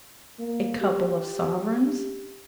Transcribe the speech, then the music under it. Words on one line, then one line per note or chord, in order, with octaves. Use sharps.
'A couple of sovereigns.'
A#3
G4